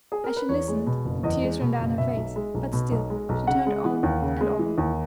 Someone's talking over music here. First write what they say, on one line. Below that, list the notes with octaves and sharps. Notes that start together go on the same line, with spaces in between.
As she listened, the tears ran down her face, but still she turned on and on.
G#4
A#4
B4
E2 C#5
G#3
B2
F#1
E2 D#5
G#3
B2
F#1
B2 E5
B1
G#3
B1
B2
B1
G#3
B1
C#3 F#5
G#3
E3
D#2
C#3
G#3
E3
D#2